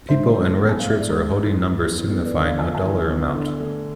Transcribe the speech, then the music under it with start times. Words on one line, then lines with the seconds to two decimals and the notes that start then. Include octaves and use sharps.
People in red shirts are holding numbers signifying a dollar amount.
0.09 G#2 C5 E5
0.34 E3 A4 C5
0.60 B3
0.69 G#5
0.79 F5
0.84 G#2
0.90 E5
0.99 D5
1.08 G#2 A4 C5
1.35 E3
1.59 F3
1.84 E2
2.09 B3 A4
2.25 B4 D5
2.34 D3
2.43 D5 F5
2.59 F3 G#5
2.67 F5
2.75 E5 G#5
2.84 E2
3.09 B3
3.35 D3
3.60 A3